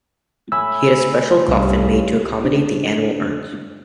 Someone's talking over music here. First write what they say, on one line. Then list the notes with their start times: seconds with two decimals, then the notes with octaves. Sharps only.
He had a special coffin made to accommodate the animal urns.
0.52 A2 G#5 B5 E6
1.48 C2 G2 C#3
2.45 D4